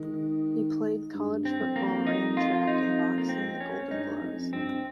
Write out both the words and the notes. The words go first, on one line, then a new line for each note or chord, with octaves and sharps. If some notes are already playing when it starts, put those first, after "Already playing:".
He played college football, ran track and boxed in the Golden Gloves.
Already playing: D#3 G#3
G2
C4
F2
A#3
D#4
F4
D#4
A#3
C4
C#4
G2 D#4
F2
G2 C4